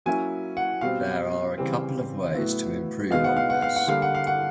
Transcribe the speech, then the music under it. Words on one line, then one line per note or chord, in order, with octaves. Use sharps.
There are a couple ways to improve on this.
F#3 A#3 C#4 E4 G#5
F#5
B2 G3 C4 F5
C#3 E3 G3 C4
A2 F#3 B3 E4
B2 G#3 B3 D#4 F5
F#5
F5
F#5
F5
F#5
D3 G3 A#3 F5
F#5
F5
F#5